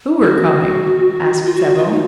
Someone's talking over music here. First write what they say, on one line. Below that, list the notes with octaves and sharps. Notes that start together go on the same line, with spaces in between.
"Who are coming?" asked several.
F#4
F4
F#4
F4
D#4